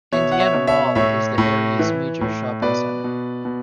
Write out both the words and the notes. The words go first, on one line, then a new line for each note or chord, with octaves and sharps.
Indiana Mall is the area's major shopping center.
B2 C#5 E5
F#5
C#5 E5
B2
C#5 E5
A2 C#5 E5
A2
E3
A2
B2 B4 D5
B2
B2